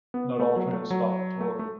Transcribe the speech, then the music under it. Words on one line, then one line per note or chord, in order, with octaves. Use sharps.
Not all trains stop at Torre.
B3
A3
F#3
A3
F#3
A3
A3